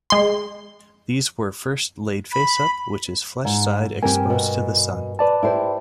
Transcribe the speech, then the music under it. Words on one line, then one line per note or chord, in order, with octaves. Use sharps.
These were first laid face-up, which is flesh side exposed to the sun.
G#3 C6
B5
G#2
G2 C4 G4 A#4 G#5
B2
B4 D5 A5
E4 G4 C5